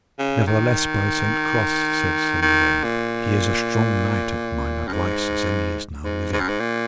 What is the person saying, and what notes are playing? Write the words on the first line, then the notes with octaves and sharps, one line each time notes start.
Nevertheless, by Saint Cross, said Sir Uwaine, he is a strong knight at mine advice as any is now living.
C#3
D#3
D#3
A#2
F#2
G#2
G#2
G#2
F#2
G#2
A#2